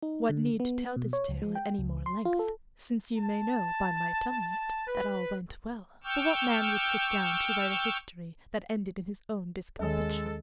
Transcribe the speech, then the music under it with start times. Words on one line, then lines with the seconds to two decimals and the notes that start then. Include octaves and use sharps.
What need to tell this tale at any more length, since you may know, by my telling it, that all went well? for what man would sit down to write a history that ended in his own discomfiture?
0.02 D#4
0.29 D3
0.60 B3
0.96 B2
1.13 C#5
1.28 C#2
1.42 G#3
1.55 G5
1.78 C#2
2.06 C6
2.25 F4
2.39 A4
3.18 A5
4.87 B4
6.04 G5 C#6 D6 E6 F6 G6
9.79 D#2 D#3 G#3 A4